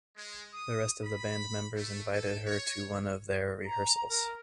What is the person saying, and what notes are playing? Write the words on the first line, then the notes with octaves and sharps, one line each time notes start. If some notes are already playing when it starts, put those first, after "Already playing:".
The rest of the band members invited her to one of their rehearsals.
G#3
D#6
B5
A3
A4
C#5
A#5
A#4